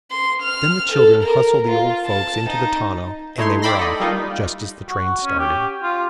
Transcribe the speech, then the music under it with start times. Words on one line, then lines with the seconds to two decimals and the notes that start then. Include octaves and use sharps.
Then the children hustled the old folks into the tonneau and they were off, just as the train started.
0.11 C6
0.42 F6
0.92 A4
1.23 A#4
1.68 F4
2.06 A5
2.49 D#4
3.38 A3 D#4 E4 C#5 C6
3.62 D5 E5 G5 B5 C6 A#6
3.79 A4 D#5
4.00 G3 A#3 D#4 F4
4.89 F#4
5.24 C#4
5.39 G4
5.83 F4